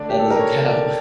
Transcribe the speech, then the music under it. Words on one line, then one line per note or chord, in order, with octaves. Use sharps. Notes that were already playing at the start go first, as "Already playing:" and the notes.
that doesn't count.
Already playing: D3 A3 D4 D5
G4
A4
A#4
C#5
D5